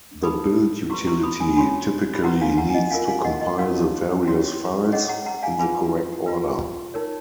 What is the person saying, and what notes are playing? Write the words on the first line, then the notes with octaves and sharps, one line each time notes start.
The build utility typically needs to compile the various files, in the correct order.
D#4 G#4 B4 B5 D#6
F#4 B4 A#5 C#6
A#5 C#6
B5 D#6
G#5 B5
F#4 C#5 G#5 B5
B5
F#4 B4 F#5 A#5
F5 G#5
F#5 A#5
G#5
D#5 F#5
C#4 F4 A#4 F5 G#5
F5 G#5
D#5 F#5
D#5
D#4 F#4 B4 C#5 F5
C#4 F#4 C#5
C#4 G#4 C#5 D#5 F#5
F#5 A#5
F#5 A#5
F5 G#5
F4 G#4 B4 G#5 B5
F4 B4
D#4 A#4 C#5